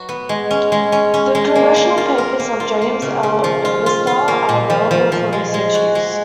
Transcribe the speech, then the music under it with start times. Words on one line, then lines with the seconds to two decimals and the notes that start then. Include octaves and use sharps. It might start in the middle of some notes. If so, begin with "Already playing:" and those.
The Congressional Papers of James L. Oberstar are available for research use.
Already playing: F#3 F#4 B4
0.09 B3
0.29 G#3
0.51 C#4
0.72 G#3
0.92 C#4
1.14 C#4
1.35 G#3
1.55 A#3
1.76 A#3
1.97 F4
2.18 A#4
2.40 A#3
2.60 F4
2.82 A#3
3.02 C#3
3.23 C#3
3.44 F3
3.65 F4
3.86 F4
4.07 F4
4.28 A#3
4.49 A#2
4.70 F3
4.91 F3
5.12 F3
5.33 G#3
5.54 G#3
5.74 F#4
5.95 G#3